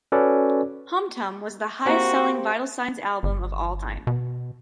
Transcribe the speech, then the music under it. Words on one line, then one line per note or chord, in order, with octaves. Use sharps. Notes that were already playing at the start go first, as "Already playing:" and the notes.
"Hum Tum" was the highest selling Vital Signs album of all time.
C#4 F#4 A4 B4 D5
A#3 C4 F#4 G4
G1
B2